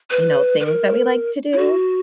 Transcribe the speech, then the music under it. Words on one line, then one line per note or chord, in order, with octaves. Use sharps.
you know, things that we like to do,
B4
B4
A#4
E4
F#4